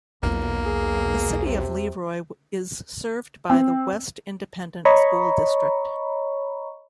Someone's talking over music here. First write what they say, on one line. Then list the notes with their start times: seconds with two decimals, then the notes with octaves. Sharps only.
The City of Leroy is served by the West Independent School District.
0.23 B1 E2 A#3 F4
0.65 G#4
1.46 C3
3.50 C4
4.85 C#5 D#5 A#5 B5 C#6